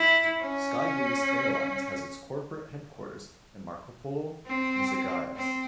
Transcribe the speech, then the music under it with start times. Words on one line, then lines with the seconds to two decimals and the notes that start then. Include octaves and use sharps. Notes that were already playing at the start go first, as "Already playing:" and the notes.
SkyGreece Airlines has its corporate headquarters in Markopoulo Mesogaias.
Already playing: E4
0.40 C#4
4.46 C4
5.36 C4